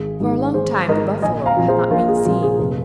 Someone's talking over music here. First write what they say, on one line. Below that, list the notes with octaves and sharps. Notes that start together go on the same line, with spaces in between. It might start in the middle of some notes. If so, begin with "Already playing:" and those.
For a long time the buffalo had not been seen.
Already playing: G#1 G#4
G#2 G#3 D#4
G#1 G#4 C5
G#2 G#3 D#4 A#4 D#5
A#1 D#5 G#5
F5 A#5
A#2 F3 C4
G#4 C5
A#1 F4 A#4
G#4
A#2 F3 C4 F4
G#4
F1